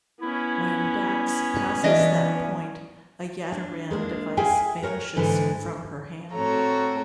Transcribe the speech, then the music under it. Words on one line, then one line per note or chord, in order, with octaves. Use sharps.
When Dax passes that point, a Yaderan device vanishes from her hand.
B3 C#4 E4
E3 D4 D#5 E5
D4
G#3 A#3 D4
G#4 E5 F5 G5 G#5
F#4 A#4 C#5
G#2 D3 E3
A2 C4 F#4 A4 C#5 A#5